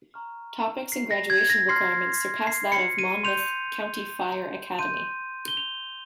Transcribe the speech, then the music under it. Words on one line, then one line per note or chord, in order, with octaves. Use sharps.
Topics and graduation requirements surpass that of Monmouth County Fire Academy.
A#5 C#6 F6
C7
A#6
G#6
A#6
C6 F6 C7
C7
C#7
D#7
C6 G6 F7
C6 G6 D#7
G7
F7